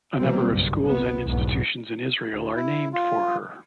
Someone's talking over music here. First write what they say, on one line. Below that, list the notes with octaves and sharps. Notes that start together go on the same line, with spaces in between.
A number of schools and institutions in Israel are named for her.
B2 E3 F#3 G3 A#3 C4
F#1 B1 G2
C2 C3 B3
B1 E2 G#2 B3
D2
E4
F4